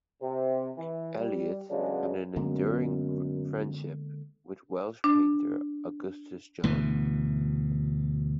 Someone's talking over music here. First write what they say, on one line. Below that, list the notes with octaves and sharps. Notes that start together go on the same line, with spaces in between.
Eliot, and an enduring friendship with Welsh painter Augustus John.
C3
E3
G3
A1 C#3 F#3 G#3 B3 D4
F#2 D3 G#3 A#3 B3
D4
D2 B2 E3